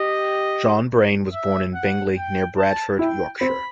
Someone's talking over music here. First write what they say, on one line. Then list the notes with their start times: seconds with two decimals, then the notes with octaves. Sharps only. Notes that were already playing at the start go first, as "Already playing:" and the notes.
John Braine was born in Bingley, near Bradford, Yorkshire.
Already playing: G4 D#5
1.33 E5
1.74 F#5
2.17 G5
2.57 A5
2.99 E4 G5
3.41 C4 B5